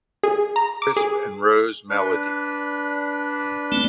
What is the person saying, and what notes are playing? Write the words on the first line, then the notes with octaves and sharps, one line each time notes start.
Crisp and Rose Meleady.
G#4
A#5
D6
G#4
D4 B4
A3 C4